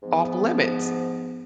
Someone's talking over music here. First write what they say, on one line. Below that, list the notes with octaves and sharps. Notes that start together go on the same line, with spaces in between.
off limits?"
G#2 F3 B3